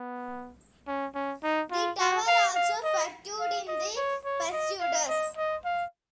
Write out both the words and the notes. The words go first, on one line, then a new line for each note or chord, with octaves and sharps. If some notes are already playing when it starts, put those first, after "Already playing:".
The tower also featured in The Persuaders!
Already playing: B3
C#4
C#4
D#4
F4
F#4
F5
F5
D#5
F5
D#5
C#5
C#5
D#5
F5
D#5
D#5
F5